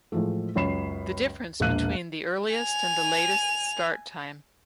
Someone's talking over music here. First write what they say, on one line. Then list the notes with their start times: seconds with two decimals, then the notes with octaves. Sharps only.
The difference between the earliest and the latest start time.
0.12 A2 E3 F3 G#3 A3
0.55 C#2 F#2 C#5 B5 C7 E7
1.60 E1 A#1 A#3 F5 F#6 D#7
2.54 G#5 F7